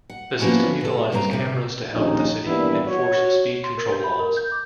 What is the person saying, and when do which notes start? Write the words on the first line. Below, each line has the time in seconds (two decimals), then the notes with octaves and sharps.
The system utilizes cameras to help the city enforce speed control laws.
0.10 F#5
0.39 F3 A#3 B3 C#4 E4 F#4
0.81 B2 A4
1.12 G2 C#3 C4 A#5
1.31 D2 C3
1.93 A#1 D#2 C#4 D#4
2.46 E3 G3 A#3 B3 D4 E4
2.88 F#4 C#5
3.64 C6
3.78 A#4
3.92 G6
4.04 B5
4.19 A#4
4.37 G6
4.52 D6